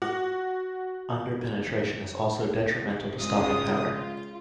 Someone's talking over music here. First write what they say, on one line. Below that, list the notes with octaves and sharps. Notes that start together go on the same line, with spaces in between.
Under-penetration is also detrimental to stopping power.
F#4
C3
C#3 G#3 F4 D#6
F4